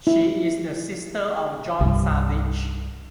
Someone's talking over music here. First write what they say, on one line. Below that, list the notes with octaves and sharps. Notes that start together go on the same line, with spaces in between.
She is the sister of John Savage.
E4
C2 G2